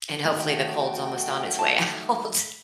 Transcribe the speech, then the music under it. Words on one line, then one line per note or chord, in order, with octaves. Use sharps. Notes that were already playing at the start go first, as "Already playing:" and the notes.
And, hopefully, the cold's almost on its way out.
D#3 A3 F#4 G5
A5